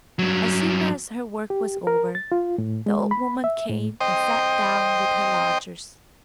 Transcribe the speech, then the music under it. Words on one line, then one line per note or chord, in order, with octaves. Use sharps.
As soon as her work was over the old woman came and sat down with her lodgers.
G2 F#3
G4
A#4
A6
F4
A2
G#3
B5
E5
A2
C5 D#5 G5